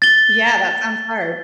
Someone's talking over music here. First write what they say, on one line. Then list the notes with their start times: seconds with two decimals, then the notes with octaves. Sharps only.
Yeah, that sounds hard.
0.02 A6 G7